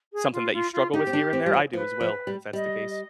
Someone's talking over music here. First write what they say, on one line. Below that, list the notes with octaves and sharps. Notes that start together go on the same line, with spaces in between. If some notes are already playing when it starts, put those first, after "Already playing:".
something that you struggle with here and there, I do as well, if that's the case.
G#4
F4
F4
F4
D#4 G4
C4
D4
C4
G3
F3
F3 B4
F3
G3
G3 D#5